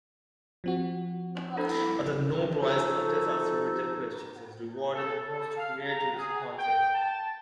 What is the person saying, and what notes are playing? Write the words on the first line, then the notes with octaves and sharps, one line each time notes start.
Other No-Prize contests asked readers questions and rewarded the most creative responses.
F3 C4 F#4
D4 E4 A4 C5
F3 D#4 F#4 A4
A4
A4
F5
A#5
G#4
G5
A5